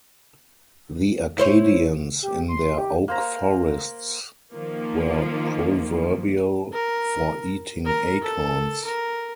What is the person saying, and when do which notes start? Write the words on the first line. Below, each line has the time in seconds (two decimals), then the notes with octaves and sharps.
The Arcadians in their oak-forests were proverbial for eating acorns.
1.38 E4 C5 C#5
2.23 G4
2.49 C6
2.78 G4
3.08 A#3 C5 A#5
4.53 D#3 F3 A#3
6.73 A#4
7.85 A#4
8.22 A4
8.85 A#4